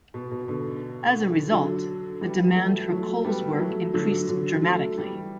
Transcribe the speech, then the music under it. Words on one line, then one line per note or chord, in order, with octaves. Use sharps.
As a result, the demand for Cole's work increased dramatically.
B2
B2
B2 D3
D3 F#3
E3 G3
F#3 A3
F#3 A3
G3 B3
F#3 A3
D3 F#3
D3 F#3
F#3 A3
E3 G3